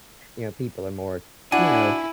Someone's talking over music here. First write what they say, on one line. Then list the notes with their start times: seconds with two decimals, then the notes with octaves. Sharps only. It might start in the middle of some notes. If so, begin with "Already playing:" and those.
You know, people are more, you know?
1.52 D4 E4 F#4 G#5